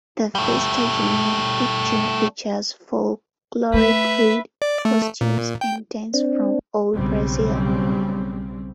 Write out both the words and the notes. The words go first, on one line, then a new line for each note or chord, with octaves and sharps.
The "Festa Junina" each June features folkloric food, costumes, and dance from old Brazil.
G3 A3
A3 B4 E5
D5
A3
A#2
G5
C4 D4
B1 C#3 G3 C4